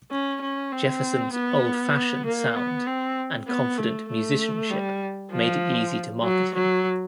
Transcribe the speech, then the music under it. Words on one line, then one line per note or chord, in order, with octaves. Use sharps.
Jefferson's "old-fashioned" sound and confident musicianship made it easy to market him.
C#4
C#4
C4
B3
A#3
B3
C4
B3
A3
A3
G3
F3
F#3
F#3